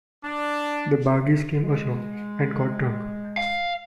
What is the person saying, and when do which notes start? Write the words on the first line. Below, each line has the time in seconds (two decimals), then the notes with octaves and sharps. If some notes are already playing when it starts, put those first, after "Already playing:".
The bargees came ashore and got drunk.
0.24 D4
1.63 G#3
3.37 F5